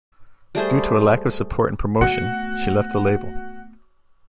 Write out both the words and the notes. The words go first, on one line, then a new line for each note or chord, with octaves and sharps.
Due to a lack of support and promotion, she left the label.
G3 A3 G#4 C5
A3 B3 F#4 C#7